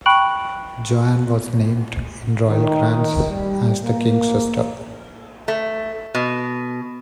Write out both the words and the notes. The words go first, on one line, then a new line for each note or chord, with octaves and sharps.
Joan was named in royal grants as the King's sister.
G5 B5 C#6 F#6 D7 F#7
D#3
G3
A#3
A3
B2